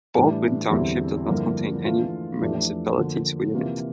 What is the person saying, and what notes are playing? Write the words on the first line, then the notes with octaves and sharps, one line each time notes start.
Baldwin Township does not contain any municipalities within it.
A2 E3 G3 D4
E2 D3 G3 C4 E4
G2 D3 F3 A#3 E4
E3 A3 D4 F4
F2 E3 A3 D4 G4
D3 F3 A#3
C3 E3 A#3 F4